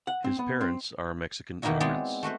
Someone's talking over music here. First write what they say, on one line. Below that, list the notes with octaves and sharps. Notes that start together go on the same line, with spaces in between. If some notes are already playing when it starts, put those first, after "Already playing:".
His parents are Mexican immigrants.
F#5
C4
B3
C4
B2 D#3 A#3 D#4 E4 F#4
G#3 B3 C4 G#4 D5
A3 F#4 B4 C5